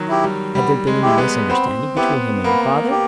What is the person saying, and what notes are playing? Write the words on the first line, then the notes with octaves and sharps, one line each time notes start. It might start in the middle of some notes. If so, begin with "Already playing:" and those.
"Had there been any misunderstanding between him and your father?"
Already playing: D#3 F#3
E4 G4
G3
G3 B3
G#3
E4 G4
B3
B3 C4
B3 E4 G4
A#3 B3
G4